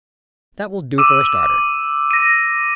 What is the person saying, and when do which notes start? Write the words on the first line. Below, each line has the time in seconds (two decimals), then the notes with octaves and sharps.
That will do for a starter.
0.98 D6 E6 D#7
2.11 A#6 D#7